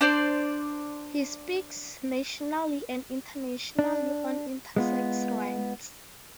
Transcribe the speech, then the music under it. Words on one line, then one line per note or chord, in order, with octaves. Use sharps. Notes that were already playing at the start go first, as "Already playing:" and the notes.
He speaks nationally and internationally on intersex rights.
D4 C5 D5
D4
G#3 B3 F4